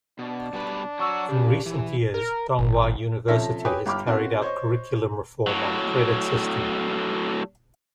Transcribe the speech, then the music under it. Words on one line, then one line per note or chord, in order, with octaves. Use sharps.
In recent years Donghua University has carried out curriculum reform on the credit system.
B2 D4
B2 G3 B4
F#3 F#4 C#6 E6
C#3 G4
E2 E3
A#4
G#1
C3 F3 C#4 A4 E5 A#6
G4 B4 C#5 G#5 D#6
G1 G4 B5 D6 F6
A#3 C4 C#4 F#4
C5 C#5 D#5 C#6
A2 F#3